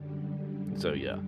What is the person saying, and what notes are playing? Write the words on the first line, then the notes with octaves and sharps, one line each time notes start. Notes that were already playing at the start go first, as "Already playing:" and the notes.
so, yeah,
Already playing: F#2 D3 G3